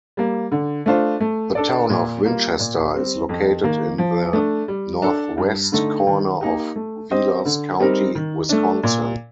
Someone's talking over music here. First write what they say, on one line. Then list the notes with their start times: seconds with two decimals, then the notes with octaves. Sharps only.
The town of Winchester is located in the northwest corner of Vilas County, Wisconsin.
0.17 G3 A#3
0.52 D3
0.86 A3 D4 F4 C5
1.20 A3
1.55 D4 A4 D5
1.90 A#2
2.24 G3 A#3 F4
2.60 A#2
2.94 G3 C4
3.29 F2
3.64 D#3 A#3
3.98 F3
4.33 A3 D4
4.68 G3
5.02 D4 A4
5.38 G2
5.72 D3 A3 D#4
6.07 D#3
6.41 A#3 D#4 G4
6.76 A3
7.11 C4 G4 C5 D#5
7.45 D3
7.80 G3 C4 D#4 A#4
8.15 D#3
8.49 A3 D4
8.83 A#2